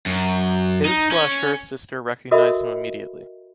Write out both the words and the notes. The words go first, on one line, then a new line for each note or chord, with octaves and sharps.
His/ her sister recognized them immediately.
F#2
D#4
C#4
F#4 A4 A#4 D#5 E5 B5